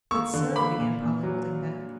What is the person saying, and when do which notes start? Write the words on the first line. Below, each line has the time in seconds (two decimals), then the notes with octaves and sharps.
"But, sir--" began Polly, holding back.
0.11 A#3 C#6 E6
0.34 D3
0.56 A#3 B5 D6
0.78 A#2
1.01 A#2
1.23 F#3